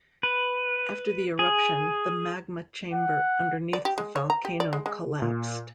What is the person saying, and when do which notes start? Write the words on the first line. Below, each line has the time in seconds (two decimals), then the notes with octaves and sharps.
After the eruption, the magma chamber underneath the volcano collapsed.
0.23 B4
1.39 G#4
2.93 F#5
3.73 D5
3.85 G4
3.98 G#3
4.16 C#5
4.30 A#5
4.45 G4
4.60 D5
4.73 G#3
4.86 G#3
5.22 A#2